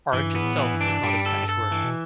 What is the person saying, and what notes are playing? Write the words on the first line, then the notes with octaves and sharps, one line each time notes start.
"Orange" itself is not a Spanish word.
G2 E3
B3
A2
E3
G2
D4
G2 G3
A4
A4
E3
B2